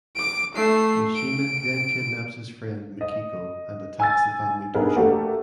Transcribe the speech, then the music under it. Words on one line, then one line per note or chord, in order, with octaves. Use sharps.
Mishima then kidnaps his friend Mikiko and attacks the family dojo.
D6 D7
A3 C7
D7
D#5
G#5 E6 A6
G2 B3 D#4 G#4 A#4 B4
A3 A#3 D4 F#4 G4 A#4